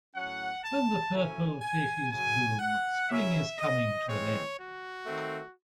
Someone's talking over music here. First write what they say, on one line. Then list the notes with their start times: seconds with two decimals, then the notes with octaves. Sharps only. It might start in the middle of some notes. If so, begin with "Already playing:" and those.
When purple vygies bloom, spring is coming to an end.
0.15 A2 F#3 C#4 F#5
0.64 A5
1.13 C#3 F#3 A3 C#4 E4 G#5
1.62 G#5
2.11 F#2 C#3 F#3 G#5
2.59 F#5
3.09 C#3 F#3 C#4 E4 E5
3.58 D#5
4.06 E3 G#3 C4 C#5
4.56 F#4
5.05 D#3 A3 C4